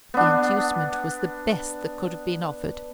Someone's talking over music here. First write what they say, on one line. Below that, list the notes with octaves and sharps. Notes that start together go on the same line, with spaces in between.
The inducement was the best that could have been offered.
B3 D4